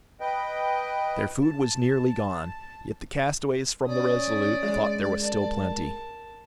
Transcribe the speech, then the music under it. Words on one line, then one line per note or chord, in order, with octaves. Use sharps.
Their food was nearly gone, yet the castaways from the RESOLUTE thought there was still plenty.
B4 D#5 G5
A5
C#4 D5 D#6
G#3
A#4 A5